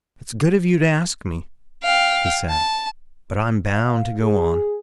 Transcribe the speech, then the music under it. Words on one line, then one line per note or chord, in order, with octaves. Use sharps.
"It's good of you to ask me," he said, "but I'm bound to go on."
F5 G5
A5
F5
G#4